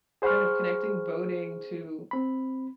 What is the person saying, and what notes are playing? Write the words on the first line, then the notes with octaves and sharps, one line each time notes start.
kind of connecting voting to
G#4 C5 F#5 B5 C#6 F6
C4 B5